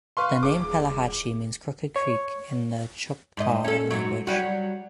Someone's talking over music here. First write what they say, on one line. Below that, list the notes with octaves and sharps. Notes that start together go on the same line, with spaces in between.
The name Pelahatchie means "Crooked Creek" in the Choctaw language.
B4 F5 C6 C#6 F6
D#1 G#4 D6
C#5
G#2 D#5
C#4 A4
G#2 F#3
F#3 G3 F#4